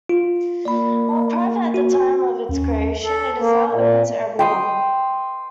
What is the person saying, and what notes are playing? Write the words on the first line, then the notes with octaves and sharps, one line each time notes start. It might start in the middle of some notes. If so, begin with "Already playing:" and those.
While private at the time of its creation, it is now open to everyone.
F4
A#3 D5 B5
F#4
D#2 C#4
A4
A#3
A#2
G5 C6 D#6